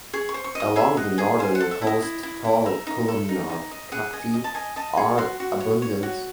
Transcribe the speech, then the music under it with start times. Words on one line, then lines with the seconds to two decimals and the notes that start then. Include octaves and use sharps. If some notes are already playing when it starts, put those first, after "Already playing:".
Along the northern coast tall columnar cacti are abundant.
0.14 G#4 C#6
0.29 C#6
0.34 C5
0.44 C#6
0.55 D#5 D#6
0.76 G#4 E5
0.97 D#5 F#5
1.18 G#4 G#5
1.39 C5 G#5
1.55 F#5
1.60 A4
1.71 E5
1.82 E4
1.87 D#5
2.02 E4
2.23 E4
2.45 E4
2.66 D#4 E5
2.87 D#4
3.08 A4
3.29 D#4
3.50 D#4
3.71 D#5
3.92 G#4 F#5
4.13 D#5 G#5
4.34 D#5
4.44 A5
4.55 D#5 G#5
4.76 D#5 A5
4.97 G#4 C#6
5.18 F#4 C6
5.40 F#4
5.60 C#5
5.82 C#5
6.03 F#4